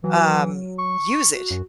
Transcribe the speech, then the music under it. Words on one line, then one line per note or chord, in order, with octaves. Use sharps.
um, use it
E3 F#3
C#6
F#4
F#2